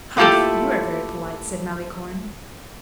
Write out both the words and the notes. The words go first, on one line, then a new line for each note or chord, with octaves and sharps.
"Humph! you are very polite!" said Malicorne.
A3 A#3 E4 F4 G4 A4